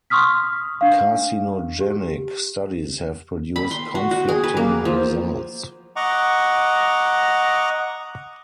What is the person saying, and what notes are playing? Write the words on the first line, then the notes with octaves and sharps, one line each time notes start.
Carcinogenic studies have produced conflicting results.
C6 C#6 D#6 F6 B6
D4 F5
G4
B5
C6
F#4
F#4
G#4
B4
A#3
F3
D#5 F#5 A#5 C#6 D6